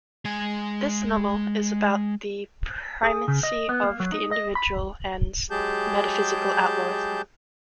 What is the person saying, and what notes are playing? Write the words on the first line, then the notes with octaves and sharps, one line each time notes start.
This novel is about the primacy of the individual and "metaphysical outlawism".
G#3 G#5
G#4
C#3
D#5
B3
A#3
F#3
D#4
D#5
B5
F#3 G#3 G4 G#4 A5 G6